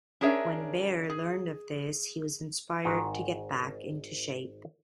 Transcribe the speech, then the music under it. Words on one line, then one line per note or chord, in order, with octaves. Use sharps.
When Baer learned of this, he was inspired to get back into shape.
C#4 D4 G#4 A#4 C#5 E5
G#4
G#1 G#2 D#3 F#4 D#5 A#5